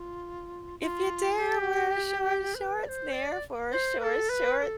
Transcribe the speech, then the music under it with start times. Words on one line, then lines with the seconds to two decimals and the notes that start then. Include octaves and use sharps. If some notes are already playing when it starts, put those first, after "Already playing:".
If you dare wear short shorts, Nair for short short.
Already playing: F4
0.80 F4
1.38 G4
2.55 C5
2.59 B4
2.84 D5
2.89 C5
3.13 D5
3.71 C5
4.00 B4
4.03 A4
4.29 B4
4.58 B4
4.62 A4